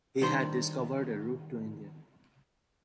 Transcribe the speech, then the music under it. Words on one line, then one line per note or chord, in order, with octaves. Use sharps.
He had discovered a route to India.
D#3 G3 D4 C5